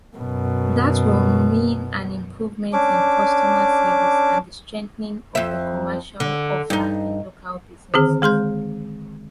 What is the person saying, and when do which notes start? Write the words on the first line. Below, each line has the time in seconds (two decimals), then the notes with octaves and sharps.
That will mean an improvement in customer service and the strengthening of the commercial offer in local businesses.
0.17 F#2 B2
2.73 C#4 D4 D6
5.35 F2 E5
6.20 D3
6.70 G2 D#4
7.94 D3 D#3 C4 G#4
8.22 G#3 G#4 C6 G6